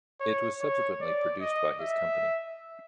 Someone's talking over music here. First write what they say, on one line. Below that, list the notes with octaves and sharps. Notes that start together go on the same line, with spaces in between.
It was subsequently produced by his company.
C#5
C#5
D5
D#5
E5